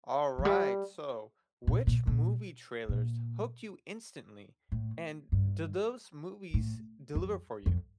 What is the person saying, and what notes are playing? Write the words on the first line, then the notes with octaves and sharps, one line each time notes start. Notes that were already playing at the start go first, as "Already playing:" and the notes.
All right, so which movie trailers hooked you instantly, and did those movies deliver for you?
F3
G3
A#2
A#2
A#2
A#2
A2
G2
A2
F2
F2